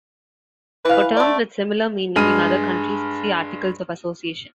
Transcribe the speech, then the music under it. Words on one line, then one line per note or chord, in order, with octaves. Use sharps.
For terms with similar meaning in other countries, see articles of association.
E3 B4 F5
D3 A3 D5
G2 G#3 F6 D#7